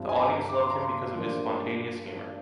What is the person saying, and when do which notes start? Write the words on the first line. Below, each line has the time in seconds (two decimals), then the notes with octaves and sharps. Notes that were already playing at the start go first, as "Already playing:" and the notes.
The audience loved him because of his spontaneous humor.
Already playing: G2 F3 C4
0.09 G#5
0.15 A#5
0.49 D6
0.59 C6
0.70 A#5
0.81 C6
1.15 G2 F3 A#3 D4